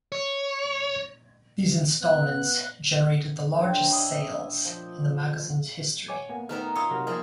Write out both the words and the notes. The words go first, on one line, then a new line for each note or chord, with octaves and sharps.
These installments generated the largest sales in the magazine's history.
C#5
B3 F#6
D3 C5 C#5 G5
D4 E4 D#5 E5
F3
C#5 G#5 D6
A#3 B3 G#5
D#3 A3 B3 D#4 A#4 F6
F4 C#5 F5 B5 D#6 E6 C#7
C3 F#3 F#4 A#4 F6
F3 G3 A#3 E4 G#4 F5 F6